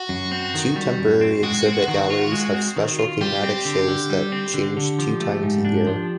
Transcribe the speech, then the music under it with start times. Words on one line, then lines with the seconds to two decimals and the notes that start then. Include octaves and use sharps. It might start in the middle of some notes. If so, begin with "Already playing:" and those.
Two temporary exhibit galleries have special thematic shows that change two times a year.
Already playing: F#4
0.09 F#2
0.32 C4
0.54 D#3
0.76 G3
0.99 F#2
1.21 C4
1.43 G#3 F#4
1.66 C4
1.88 D#3
2.10 F4
2.32 G#3
2.54 C4
2.76 D#3
2.99 F4
3.21 G3 G4
3.44 C4
3.65 D3
3.88 D3
4.10 G3
4.32 C4
4.54 D3
4.77 D3
4.99 F3
5.20 A3
5.43 G#2
5.65 D4
5.87 F3